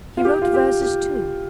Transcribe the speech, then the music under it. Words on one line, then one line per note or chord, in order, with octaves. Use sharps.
He wrote verses too.
F4
G4
F4
G4
G4